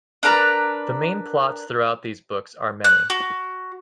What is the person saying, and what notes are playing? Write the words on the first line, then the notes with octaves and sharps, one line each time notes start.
The main plots throughout these books are many.
D4 A#4 B4 A#5
F#6
F#4